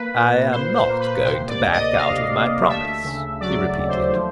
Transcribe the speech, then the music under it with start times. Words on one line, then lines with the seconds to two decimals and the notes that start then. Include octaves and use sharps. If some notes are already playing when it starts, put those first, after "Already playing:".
"I am not going to back out of my promise," he repeated.
Already playing: A#3 B4
0.15 A#2
0.51 A#2 C5
0.75 C5
0.88 A#3
1.00 B4
1.24 C3 C5
1.49 D5
1.60 D2
1.72 D#5
1.96 D2 F5
2.33 D2
2.68 A3 E5
3.04 C#3
3.41 F#3 D5
3.77 D#2
3.89 C5
4.13 F3